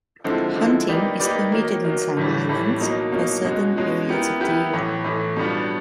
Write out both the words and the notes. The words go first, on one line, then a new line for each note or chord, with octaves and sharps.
Hunting is permitted on some islands for certain periods of the year.
D3 F3 G#3 C4 E4
D3 F3 G#3 C4 E4
A#3 D#4 G4 B4 D5
A#3 D#4 G4 B4 D5
D#3 F#3 A#3
D#3 F#3 A#3
A2 E3 G3
A2 E3 G3
B2 F#3 A#3 D#4
B2 F#3 A#3 D#4
B2 G#3 C#4 F#4
B2 G#3 C#4 F#4
B3 E4 G4 A#4
B3 E4 G4 A#4
A2 E3 A3
A2 E3 A3
B2 G3 B3 D4 F4